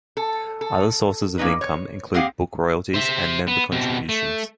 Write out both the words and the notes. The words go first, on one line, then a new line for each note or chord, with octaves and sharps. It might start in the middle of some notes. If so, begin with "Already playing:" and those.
Other sources of income include book royalties and member contributions.
A4
A4
A#3 C#4 D#4 B4
C#5
A#3 C4 G4 G#4 F5 F#5
C5 E5
B3
B2 C4
A3